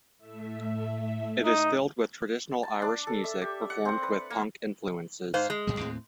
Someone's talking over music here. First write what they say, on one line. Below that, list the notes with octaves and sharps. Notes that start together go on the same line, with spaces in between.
It is filled with traditional Irish music performed with punk influences.
A2 A3 E5
D#4
A5
D4
A4
E5
G4
F#5
C4
B4
A#3
G#2 C5 F5
G#3
A1 A2 G3
D#2 A2 C4